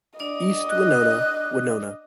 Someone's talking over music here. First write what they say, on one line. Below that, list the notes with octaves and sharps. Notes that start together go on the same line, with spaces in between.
East Winona - Winona.
D4 D5 D#5 D6
F#6